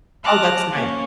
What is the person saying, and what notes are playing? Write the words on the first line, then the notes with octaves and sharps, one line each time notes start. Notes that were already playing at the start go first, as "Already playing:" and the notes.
Oh, that's nice.
A5 D6 F6 F#6 A#6
A#3 C#4